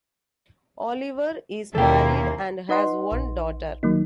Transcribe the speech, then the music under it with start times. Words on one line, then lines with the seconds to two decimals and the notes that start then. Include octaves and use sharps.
Oliver is married and has one daughter.
1.75 D#2 B2 A#3 C#4 E4 A4 A#4 G5
2.69 D#4 B4 D#5 F#5 C6
3.12 A#1
3.83 D#3 F#3 A#3 D#4